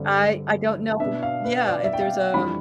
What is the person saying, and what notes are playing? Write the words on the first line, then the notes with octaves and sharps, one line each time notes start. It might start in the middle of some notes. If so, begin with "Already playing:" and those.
I I don't know yeah, if there's a
Already playing: G2 D3 G3 C4
B2 B3 D4 E5
F5
B4
D5
E5
G5
F5
F2 E3 G3 D4 B5